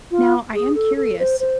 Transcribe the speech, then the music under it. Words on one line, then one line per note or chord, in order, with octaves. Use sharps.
Now, I am curious.
F4
G#4
A4
A4
C5
C5